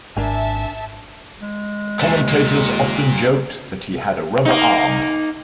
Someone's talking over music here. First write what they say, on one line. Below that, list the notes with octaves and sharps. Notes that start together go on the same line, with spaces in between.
Commentators often joked that he had a "rubber arm".
G#1 D4 A#4 E5 G#5 A5
G#3
D#2 A#2 A3
A#2
A#3 D#4